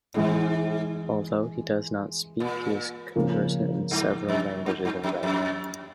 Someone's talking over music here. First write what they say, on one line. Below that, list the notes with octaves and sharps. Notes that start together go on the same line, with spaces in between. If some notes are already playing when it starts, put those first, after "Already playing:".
Although he does not speak, he is conversant in several languages in writing.
G#2 E3 G#3 E4
A#2
C#3 F3 A#3
G2
F2
G2
G2
F2
F2